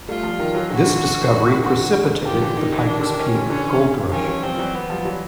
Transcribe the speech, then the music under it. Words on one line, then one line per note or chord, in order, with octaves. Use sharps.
This discovery precipitated the Pike's Peak Gold Rush.
G3 A3 F4
F3 G3
D#3 F3
E3 F#3
D3 E3 F#4
D3 E3
D#3
D#3
D3 E3 F#4
D#3 F3 G4
D3 E3
D#3 D#4
D3 E3
D#3 D4
D3
D#3
D#3 C#4
D3 E3
D3 E3 C#4
D#3 F3 C#4
E3 F#3
F3 G3 C4
E3 F#3
B3
F3 G3
E3 F#3